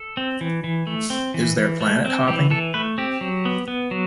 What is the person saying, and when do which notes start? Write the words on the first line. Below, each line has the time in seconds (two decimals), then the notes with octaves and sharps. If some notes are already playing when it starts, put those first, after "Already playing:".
Is there planet hopping?
Already playing: A4
0.17 C4
0.41 E3
0.64 E3
0.87 A3
1.10 C4
1.34 E3
1.57 E3
1.81 A3
2.05 C4
2.28 E3 G4
2.51 E3 A4
2.74 A3 B4
2.98 C4 G4
3.21 F#3
3.45 B3
3.68 B3
3.91 F#3